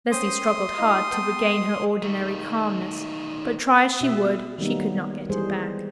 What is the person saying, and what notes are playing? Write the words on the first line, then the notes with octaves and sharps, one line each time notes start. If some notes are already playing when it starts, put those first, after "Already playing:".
Leslie struggled hard to regain her ordinary calmness; but, try as she would, she could not get it back.
C#4 C5 G5 C6 D#6
D#4 F4 D#5
B3 G5 A5
D#3 A3
B2 E5
D#3 F#3 G3 A#3 B3 D#4
E3 G3 G#3 G#4 C5